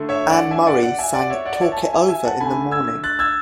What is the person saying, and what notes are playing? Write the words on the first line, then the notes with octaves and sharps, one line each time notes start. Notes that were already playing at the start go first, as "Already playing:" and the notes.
Anne Murray sang "Talk It Over in the Morning".
Already playing: D3 A3
C#5 E5
D5 F#5
E5 G#5
D5 F#5
D5 F#5
E5 G#5
D5 F#5
C#5 E5
D5 F#5
D5
C#5 E5
A5
E5 G#5
E5 G#5
E5 G#5
F#5 A5
D3 A3 G#5 B5
E6 G#6
F#6 A6
E6 G#6